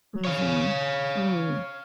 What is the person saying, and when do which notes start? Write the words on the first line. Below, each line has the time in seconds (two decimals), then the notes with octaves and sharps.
Mhm, mm.
0.25 C#5 F5